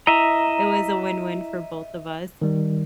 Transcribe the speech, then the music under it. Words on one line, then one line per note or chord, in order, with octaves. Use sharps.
It was a win-win for both of us.
E4 D#5 E5 A#5
D#3 G3